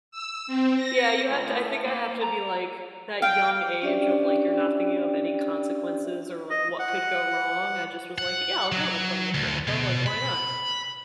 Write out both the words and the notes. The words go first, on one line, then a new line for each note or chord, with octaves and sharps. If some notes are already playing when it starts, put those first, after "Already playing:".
Yeah, you have to I think I have to be, like, that young age of, like, you're not thinking of any consequences, or, like, what could go wrong. I just was, like, "Yeah, I'll go on a plane with grandpa," like, "Why not?"
E6
C4
A#6
C#2
A2
A#3
A#5
F5 G5
C#4 D4 G4 D5 E5 G5
D#5
F#5
F#5
F#3
D2
B2
B5